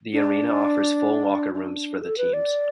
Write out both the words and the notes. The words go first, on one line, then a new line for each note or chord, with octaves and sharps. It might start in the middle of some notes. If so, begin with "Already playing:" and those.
The arena offers full locker rooms for the teams.
D4
D4
A4
B4
D5